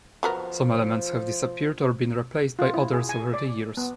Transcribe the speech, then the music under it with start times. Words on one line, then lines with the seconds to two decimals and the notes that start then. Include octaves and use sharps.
Some elements have disappeared or been replaced by others over the years.
0.23 F3 F#3 B3 A#4
2.59 F4
2.74 E4
2.94 G#4
3.09 G#5
3.34 D5
3.77 B3